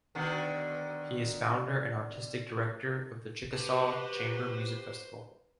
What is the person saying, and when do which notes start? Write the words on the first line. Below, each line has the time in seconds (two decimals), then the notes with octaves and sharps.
He is founder and artistic director of the Chickasaw Chamber Music Festival.
0.15 B2 D3 D#3
3.53 F#4 G4 B4 C5 A5